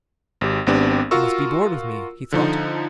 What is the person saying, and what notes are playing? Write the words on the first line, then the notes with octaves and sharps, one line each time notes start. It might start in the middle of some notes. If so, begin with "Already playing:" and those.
"He must be bored with me," he thought.
G#1 G4
G#1 B3 C4 D4 G4
F4 F#4 A#4 C#6 E6
D3 F3 D#4